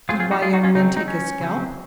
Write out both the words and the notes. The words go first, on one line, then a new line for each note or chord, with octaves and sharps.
"Did my young men take his scalp?"
F#3 C4 F4 G#4
F4 G#4
D#4 F#4
F4 G#4
D#4 F#4
C#4 F4
C#3 F#3 C4 D#4
D#4
C#4
C#3 F#3 C4